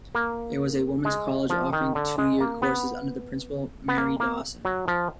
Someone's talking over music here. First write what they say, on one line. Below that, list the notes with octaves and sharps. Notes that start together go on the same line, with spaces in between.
It was a women's college offering two year courses, under the Principal Mary Dawson.
A#3
G#3
F3
D#3
D3
G#3
A#3
B3
B3
A#3
A#3
F#3
F3